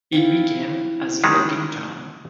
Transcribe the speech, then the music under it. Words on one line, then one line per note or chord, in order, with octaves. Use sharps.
It began as a logging town.
C4 E4 F4
D#3 G3 G#3